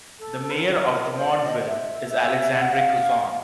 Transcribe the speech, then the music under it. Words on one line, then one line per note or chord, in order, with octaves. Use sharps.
The mayor of Drummondville is Alexandre Cusson.
A4
A4
C5
A#4
C5
D5
D#5
E5
E5
F#5
F5